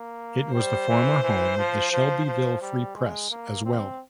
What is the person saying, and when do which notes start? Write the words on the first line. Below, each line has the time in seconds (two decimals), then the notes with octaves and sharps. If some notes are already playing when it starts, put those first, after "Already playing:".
It was the former home of the "Shelbyville Free Press" as well.
Already playing: A#3
0.53 G3 C5
0.88 E3
1.23 E3
1.58 F3
1.92 F3
2.26 F3
2.61 G3
2.96 G#3
3.31 A#3
3.64 C4